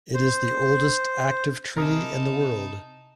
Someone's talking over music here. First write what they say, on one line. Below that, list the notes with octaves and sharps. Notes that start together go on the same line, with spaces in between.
It is the oldest active treaty in the world.
C5
C3 D#4 E4 G#4 A#4 A5